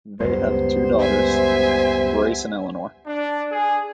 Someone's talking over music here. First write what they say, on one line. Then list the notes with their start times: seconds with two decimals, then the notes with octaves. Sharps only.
They have two daughters, Grace and Eleanor.
0.20 C#2 F#2 G3 G#3 B3 C5
1.00 E5 G#5
3.07 D4
3.51 G#4